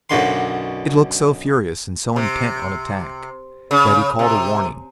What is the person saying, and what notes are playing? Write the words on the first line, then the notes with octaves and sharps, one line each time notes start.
It looked so furious and so intent on attack that he called a warning.
B1 F#2 D3 C6
C3
C#3
C3